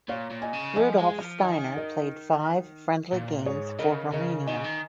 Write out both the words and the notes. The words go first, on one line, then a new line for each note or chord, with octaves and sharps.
Rudolf Steiner played five friendly games for Romania.
A#2 C#5 F5
A#2
D#5 G#5
C#3
F3 D#5 G#5
G#3
F3
D#3 D#5 G#5
A#4 D#5
A#2
G#2 G#4 C#5
C#3 A#4 D#5
C#3 A#4 D#5
D#3 D#5 G#5
C#3
D#3